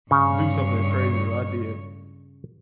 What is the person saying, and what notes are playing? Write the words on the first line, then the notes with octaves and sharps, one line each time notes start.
do something as crazy as I did,
G2 C#3 C#5